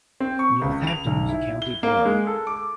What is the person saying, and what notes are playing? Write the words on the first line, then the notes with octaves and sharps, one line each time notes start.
Northampton was a county borough.
C4
C#6
C#2
F7
B1
E4
G7
A#3
G#3
A4
D6